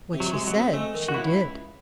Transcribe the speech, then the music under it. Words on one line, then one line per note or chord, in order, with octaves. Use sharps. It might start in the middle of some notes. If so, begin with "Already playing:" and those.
What she said, she did.
C3
F#3
G#2 G#3
F#3
C4
G#3 A3
D#3
F#4
C#2 E4